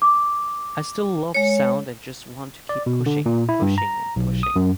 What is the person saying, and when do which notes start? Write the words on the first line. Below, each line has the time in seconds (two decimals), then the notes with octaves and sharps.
I still love sound and just want to keep pushing, pushing and pushing.
0.02 D6
1.34 G#3 C#5 C#7
2.69 D5
2.86 B2
3.06 D3
3.26 A#2
3.49 E4
3.62 G2
3.78 A#5
4.16 B1
4.43 D#6
4.56 F#2